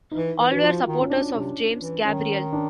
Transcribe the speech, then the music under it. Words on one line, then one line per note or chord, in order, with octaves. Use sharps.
All were supporters of James Gabriel.
D#4
E3 E4
E3
E3 F#4
F3 F4
D#3
C#4
D4
C3
E3
D#3 C#4
D4